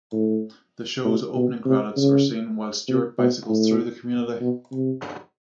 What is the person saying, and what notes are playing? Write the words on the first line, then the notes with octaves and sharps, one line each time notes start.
The show's opening credits are seen while Stewart bicycles through the community.
A2
A2
B2
C3
C#3
C3
B2
A2
B2
C3